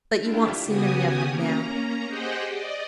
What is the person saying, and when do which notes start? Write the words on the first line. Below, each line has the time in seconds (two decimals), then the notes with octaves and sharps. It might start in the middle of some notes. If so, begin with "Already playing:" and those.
But you won't see many of them now.
0.20 D4 E4 F4 G4
0.65 C#3 B3 F#4 G4 G#5 D#6
1.29 A#3 C#4 A#5
2.06 G4 G#4 C5 D#5 F#5 G5
2.49 D5 D#5